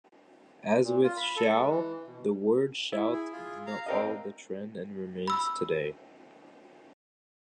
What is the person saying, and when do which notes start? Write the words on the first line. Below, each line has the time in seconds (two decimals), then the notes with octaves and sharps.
As with "shall", the word "shalt" did not follow the trend and remains today.
0.84 A#2
1.04 F4
1.17 B5
1.37 A4
1.54 G#3
1.69 E3
2.07 B2
2.92 E4
3.13 G#4
3.32 F4 G#4
3.67 F5 A#5
3.86 C4 D4 A#4 D#5 F5
5.28 B5 E6